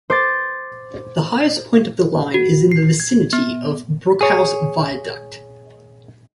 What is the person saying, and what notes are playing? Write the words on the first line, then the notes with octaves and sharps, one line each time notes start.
The highest point of the line is in the vicinity of Brookhouse viaduct.
C5 D6 A6
F#4
C7
G#6
B3
G#4 C#5